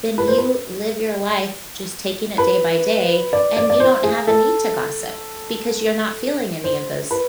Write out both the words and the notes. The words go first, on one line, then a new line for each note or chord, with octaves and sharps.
Then you live your life just taking it day by day, and you don't have a need to gossip, because you're not feeling any of those,
B4
C5
B4
B4
D5
D5
D5
C5
G#4
A4
C5
B4